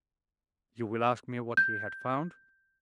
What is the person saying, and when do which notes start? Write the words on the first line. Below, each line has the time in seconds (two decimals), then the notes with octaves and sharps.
You will ask me what he had found?
1.57 G6